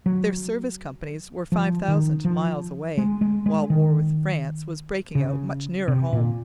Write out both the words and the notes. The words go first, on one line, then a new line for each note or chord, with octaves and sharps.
Their service companies were five thousand miles away, while war with France was breaking out much nearer home.
F#3
F3
D#3
F3
G#3
G#3
G#3
D#3
C#3
C3
A#2